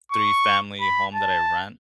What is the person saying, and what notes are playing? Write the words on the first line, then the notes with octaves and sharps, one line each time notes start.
three-family home that I rent.
C#6
B5
A5